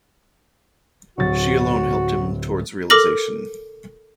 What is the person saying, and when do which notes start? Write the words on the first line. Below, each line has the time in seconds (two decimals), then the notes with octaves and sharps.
She alone helped him towards realisation.
1.18 D1 F#3 F#4 A6
2.90 A4 A#4 D6 F6 A#6 F#7